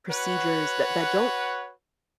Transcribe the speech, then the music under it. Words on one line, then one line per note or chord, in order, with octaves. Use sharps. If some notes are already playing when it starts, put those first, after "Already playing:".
procedures that that don't
F#4 B4 C#5 F#5